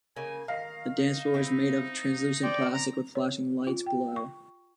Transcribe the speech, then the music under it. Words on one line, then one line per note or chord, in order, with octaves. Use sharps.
The dance floor was made of translucent plastic with flashing lights below.
C#3 A#3 G#5
D#3 F5 A#5
D#4
C4 E4
C5 D5 G5
A#5
C#5
F4
G5
C#6